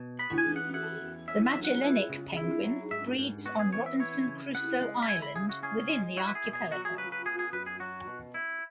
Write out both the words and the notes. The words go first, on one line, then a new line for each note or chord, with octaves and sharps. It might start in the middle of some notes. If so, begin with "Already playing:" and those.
The Magellanic penguin breeds on Robinson Crusoe Island within the archipelago.
Already playing: B2
B3 B5
G#5
E3
F#5
E4 F#5
E2
C#4 E5
E5
F#3
F#5
E4
C#3
E4
F#3
G#2 E5
G#2
B3 F#4
G#4
E3 C#5
E5
E4 C#5
C#3
B3 F#5
G#3
B5
E4 G#5
B5
C#3 G#4
F#4
C#4 G#4
G#3
E4 F#4
B4
G#4
B2
G#4
F#3 F#4
G#4
C#3 B4
B4
B3 G#4
G#4
F#2 B4
G#4
F#3 F#4
B2
E4